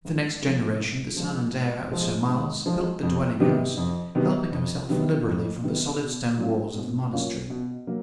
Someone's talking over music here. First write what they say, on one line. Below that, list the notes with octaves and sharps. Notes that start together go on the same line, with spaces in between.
In the next generation, the son and heir of Sir Miles built the dwelling-house, helping himself liberally from the solid stone walls of the monastery.
G#2
F3 G#3
G#2
F3 G#3
G#2
F3 G#3
G#2
F3 G#3
F2
C3 D#3 F#3 B3
F2
C3 D#3 F#3 B3
F2
C3 D#3 F#3 B3
F2
C3 D#3 F#3 B3
B2
F#3 A#3 C#4 F4
B2
F#3 A#3 C#4 F4
B2
F#3 A#3